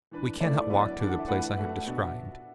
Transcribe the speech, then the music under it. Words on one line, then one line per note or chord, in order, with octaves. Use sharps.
We cannot walk to the place I have described.
E3 D4 B4
D3 A3 E4 A4 D5
D3 F#3 B3 E4 B4
E3 D4 A4
F#5
E5
E3 A3 D4 B4 F#5
F#5
A3 F#4 A4 E5
B2 B3 D4 F#4